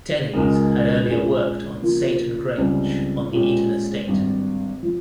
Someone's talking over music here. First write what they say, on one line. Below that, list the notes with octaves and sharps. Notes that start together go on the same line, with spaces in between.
Dennys had earlier worked on Saighton Grange on the Eaton estate.
C#2 C#3 G#3 D#4 A#4
A#1 A#2 G#3 C#4 G#4
C#3 F3 A#3 F4
C#2 C#3 G3 C4 G4
A#2 G#3 C#4 G4
G#1 G2 G3
F3